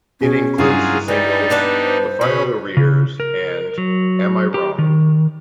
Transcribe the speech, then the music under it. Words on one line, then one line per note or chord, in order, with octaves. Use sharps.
It includes the singles "The Final Arrears" and "Am I Wrong".
B2 C#4 G#4
G2 F#3 A#3 E4 F4 G#4
E3 G3 D#4 D5
B3 D4 B4
C5
B2 C#4 B5
C#3
A#4
F#3
G4
D#3